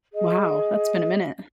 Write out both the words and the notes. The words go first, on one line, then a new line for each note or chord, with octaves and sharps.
Wow, that's been a minute.
G#4 D#5